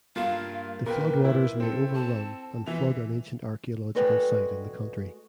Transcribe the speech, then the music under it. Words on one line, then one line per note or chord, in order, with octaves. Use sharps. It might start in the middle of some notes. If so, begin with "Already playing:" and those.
The floodwaters may overrun and flood an ancient archaeological site in the country.
G2 A#3 F4 F5 E7
A#2 A#3 A#4 B4 G5
E4
C4 A4
A5
E3 F4 E5 F7
G#3 F#4 A4 B4 D5 G5